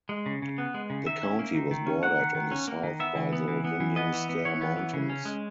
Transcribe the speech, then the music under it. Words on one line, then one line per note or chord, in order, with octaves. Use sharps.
The county was bordered on the south by the Winding Stair Mountains.
G#3
C#3
C#3
B3
G#3
C#3
D#3 E5
C#4
A#3
D#3
D#3
C#4
A#3 F#5
D#3
D#3
C#4
A#3
D#3
B3 E5
E3
B3
E3
B3
E3
B3 D#5
E3
B3
E3 C#5
B3
E3
C#3
C#4
G#3